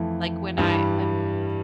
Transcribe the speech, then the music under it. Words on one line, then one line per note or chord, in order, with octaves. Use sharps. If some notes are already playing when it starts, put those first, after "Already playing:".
like, when I when
Already playing: F2 E3 A3
G2 E3 G3